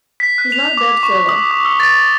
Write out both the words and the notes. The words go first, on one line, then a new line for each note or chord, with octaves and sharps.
He's not a bad fellow.
B6
F#6
F7
D6
C#6
D#6
D6
E6
A6